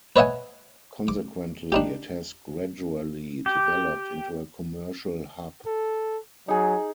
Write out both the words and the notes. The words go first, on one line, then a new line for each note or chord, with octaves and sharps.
Consequently, it has gradually developed into a commercial hub.
B4 C#5 D#5 E5 F#5 G#5
D6
D4 D#4 G4
G4
A4
F#3 D#4 G#4